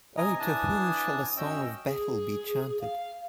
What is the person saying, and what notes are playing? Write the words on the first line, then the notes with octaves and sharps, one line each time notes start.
Oh, to whom shall a song of battle be chanted?
C3 D#5 G#5 A#5 D#6
E3 D4 G#5 A5 D#6
F#2 C#4 D#5 G5 E6
G#4
F5